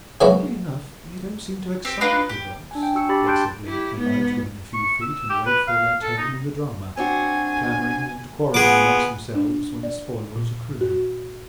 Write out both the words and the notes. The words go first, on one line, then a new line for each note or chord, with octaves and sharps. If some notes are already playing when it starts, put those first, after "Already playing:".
Oddly enough, they don't seem to excite the dogs; they simply alight within a few feet and wait for their turn in the drama, clamouring and quarrelling amongst themselves when the spoils accrue.
E3 F#3 G#3 A#3 C#4 E4
C4 G4
D4 D#4 F4 B4
G4
D4 G#5
G5
F#4 E6 C#7
D4 G4 B5 A6
G5 A5 C6 F#6 G6 D7
E4 G4
G#2 B3
C#6
E6
G4
B4
F5
A4
D#4
C4 D4 F#4 G#5
B3 F4 G#4 F#5 G#5 D6
D4
D5
A#2
F#4